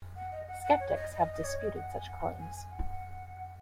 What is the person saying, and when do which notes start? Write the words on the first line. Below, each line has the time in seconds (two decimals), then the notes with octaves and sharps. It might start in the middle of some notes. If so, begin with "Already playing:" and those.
Skeptics have disputed such claims.
0.16 F#5
0.32 D#5
0.48 F#5
0.64 F#5
0.80 C#5
0.95 D#5
1.12 D#5
1.33 D#5
1.44 C#5
1.60 D#5
1.76 F#5
1.92 G#5
2.07 F#5
2.40 G#5
2.56 G#5
2.71 F#5
2.88 F#5